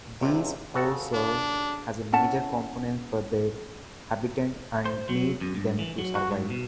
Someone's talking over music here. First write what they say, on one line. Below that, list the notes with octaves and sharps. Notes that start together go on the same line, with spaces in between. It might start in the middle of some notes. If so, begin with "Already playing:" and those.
These hosts serve as major components for their habitat and need them to survive.
C#2 C3
C#3 F#4 A4
D4
C#4 E4 F#5 A5
C5
F#3
F#2
G2
E3
F#3
F#4
G#2
B2